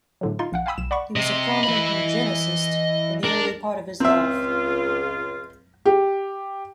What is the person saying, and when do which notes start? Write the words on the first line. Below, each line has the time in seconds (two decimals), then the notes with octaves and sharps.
He was a prominent eugenicist in the early part of his life.
0.21 A2 D3 F#3
0.39 D#4 F4 C6
0.52 A#1 F5 F#5
0.66 F5 G5 G#5 B5 D#6 E6
0.78 B1 E7
0.91 D5 F#5 B5 C#6
1.16 C3 D#5
1.64 E3 B5
3.24 D4 A#4
4.00 C#2 C4 F4 E5
5.85 G4